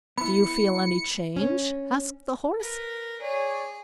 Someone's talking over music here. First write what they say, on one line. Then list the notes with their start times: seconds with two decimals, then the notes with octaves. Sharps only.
'Do you feel any change?' asked the Horse.
0.18 B3 E4 B5 C#7
1.36 C#4
2.60 A#4 B4
3.22 G#4 C#5 D5